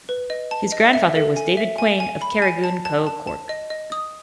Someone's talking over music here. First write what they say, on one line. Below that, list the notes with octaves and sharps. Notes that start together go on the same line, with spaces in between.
His grandfather was David Quain of Carrigoon, co. Cork.
B4
D#5
A5
D#5
E5
A4
G#5
E5
G#5
G#5
B5
G#5
A5
A5
A5
A5
D#5
D#5
D#6